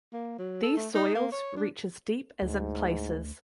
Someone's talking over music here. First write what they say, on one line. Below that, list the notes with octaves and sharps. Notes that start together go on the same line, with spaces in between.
These soils reach as deep as in places.
A#3
F#3
A4
A3
D#4
A#3
C#5
D4
D2 G#2